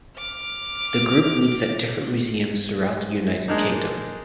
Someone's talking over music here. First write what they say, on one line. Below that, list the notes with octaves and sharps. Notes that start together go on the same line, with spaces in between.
The group meets at different museums throughout the United Kingdom.
D6 F6
G#3 A#3 D4 D#4